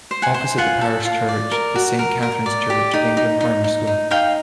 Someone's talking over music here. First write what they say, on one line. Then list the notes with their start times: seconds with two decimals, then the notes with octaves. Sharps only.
Opposite the parish church is Saint Katharine's Church of England Primary School.
0.11 C5
0.22 F#5 G#5
0.34 C5
0.58 F4 F#5 G#5
0.81 A4
1.05 F4
1.29 D5
1.51 A#4
1.76 F#4
1.99 A#4
2.22 A#4
2.46 D5
2.70 G4
2.93 D#4
3.17 D#4
3.41 D#4
3.64 D#4
3.87 D#4
4.11 D#4 F5 G5